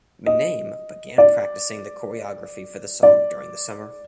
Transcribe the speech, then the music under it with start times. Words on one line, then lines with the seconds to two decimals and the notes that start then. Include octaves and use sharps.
Myname began practicing the choreography for the song during the summer.
0.26 D#5
1.18 D5
3.03 D5